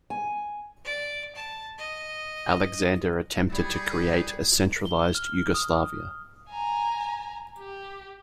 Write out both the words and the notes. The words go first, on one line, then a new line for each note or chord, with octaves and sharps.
Alexander attempted to create a centralised Yugoslavia.
G#5
D5
A5
D#5
G3 B3 E4 G4 G#4
G7
F6
D#6
G#5 A#5
G4